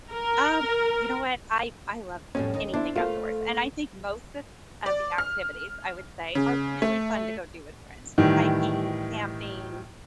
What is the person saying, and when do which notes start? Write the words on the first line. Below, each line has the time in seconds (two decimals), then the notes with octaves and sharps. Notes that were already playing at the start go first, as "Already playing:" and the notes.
Um, you know what? I I love anything outdoors, and I think most of of the activities, I would say, are really fun to go do with friends. Hiking, camping,
0.12 A#4
2.35 F2 A2 G3 C#4
2.54 D#2 D#4
2.74 D4 E4 C5
2.96 A3 F4 A#4 F5
4.86 D5
5.18 F6
6.35 C#3
6.82 A3
8.18 A2 D#3 E3 G3